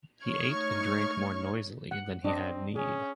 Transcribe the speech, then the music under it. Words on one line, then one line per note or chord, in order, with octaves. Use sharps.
He ate and drank more noisily than he had need.
A3 D#4 C#5 C#6 F6 G#6
F#5
C4 D4 D#5
C#4 G#4